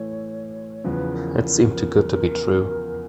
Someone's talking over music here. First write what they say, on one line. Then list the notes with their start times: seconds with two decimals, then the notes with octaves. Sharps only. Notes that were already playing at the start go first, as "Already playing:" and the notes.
It seemed too good to be true.
Already playing: A2 E3 A3 C#5
0.84 E2 C#3 F3 B4
1.14 A#4
1.44 A#4